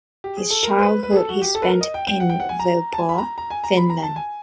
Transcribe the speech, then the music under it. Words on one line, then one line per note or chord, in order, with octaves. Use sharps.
His childhood he spent in Vilppula, Finland.
G4
G#4
A4
A#4
C5
B4
B4
G#4
A4
F#4
G4
A4
B4
A#4
D#5
G5
G5
F#5
G5
F#5
G#5
A#5
A5
G#5
B5
A#5
A#5
G#5
A#5
B5
A#5
A5
G#5